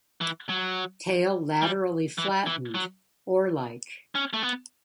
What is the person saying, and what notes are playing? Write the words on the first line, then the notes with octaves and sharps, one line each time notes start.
Tail laterally flattened, oar-like.
E3
F#3
G3
E3
E3
F#3
C#4
A3
B3